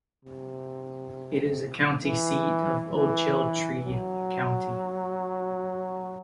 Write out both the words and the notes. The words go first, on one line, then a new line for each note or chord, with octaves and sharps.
It is the county seat of Ochiltree County.
C3
E3
E3
F#3